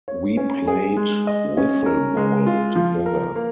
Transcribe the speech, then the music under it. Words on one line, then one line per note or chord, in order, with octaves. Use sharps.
We played Wiffle ball together.
C#5
C#4
G#4
G#3
D#5
C#4
A#4
G#3
F4
F3
A#4
A#3